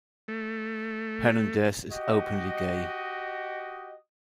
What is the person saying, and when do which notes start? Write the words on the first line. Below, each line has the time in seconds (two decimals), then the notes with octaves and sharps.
Hernandez is openly gay.
0.28 A3
1.92 F#4 G4 D#5